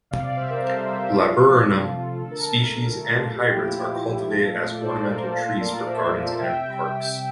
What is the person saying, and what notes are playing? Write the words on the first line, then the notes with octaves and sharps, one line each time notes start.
"Laburnum" species and hybrids are cultivated as ornamental trees for gardens and parks.
C3 D5 F5
D5 F5
G3 C5 E5
A#4 D5
C3 A4 C5
G3 C5 E5
C3 F4 A4
F3 A3
C3
F3 A3
D3 A4
A#4
A4
A3
A#4
A4
D3 A#4
A4
A#4
A3 F4 A4
A#2 A4
G4
F4
F3 A3 E4 G4
A#2
F3 A3
A#2 F4 A4
A3
D5
A#2 A4 C5
A3 A#4 D5
A#2 F4 A4
A3 A#4 D5
D5
A#2 C5 E5
A3
C3 E5 G5
G3
C3 E5 G5